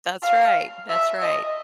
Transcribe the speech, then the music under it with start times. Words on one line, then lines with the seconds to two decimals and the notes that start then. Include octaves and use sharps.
That's right, that's right.
0.23 F5
0.89 E5
1.22 D#5